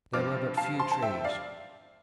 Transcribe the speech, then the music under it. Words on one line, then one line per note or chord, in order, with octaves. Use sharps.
There were but few trees.
G2 F3 C4 D6 F6
F5 A5
A5 C6
A5
E5 G5
D5 F5